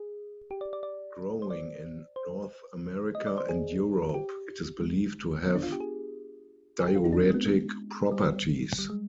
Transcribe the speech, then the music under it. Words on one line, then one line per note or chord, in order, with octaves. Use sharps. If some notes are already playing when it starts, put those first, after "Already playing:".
Growing in North America and Europe, it is believed to have diuretic properties.
Already playing: G#4
G4
D5
D5
D5
C5
D5
C5
D#5
D5
C5
G#4
G4
G#3
B3
D4
F4
G4
G#4
G#4
G4
F4
D#4
D4
C4
G#3
B3
G#3
G3
G3
G#3